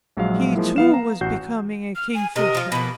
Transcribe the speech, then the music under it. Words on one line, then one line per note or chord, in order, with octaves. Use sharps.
He too was becoming a Kingfisher.
A#1 F#3 G#3 F5
F3 G#3 A#3 E4
B3 F5 E7
A#5
A1 F#4 G6 C7
F6
G#5
C3 A#4 D#5
F3 F4
B2 A#3 B5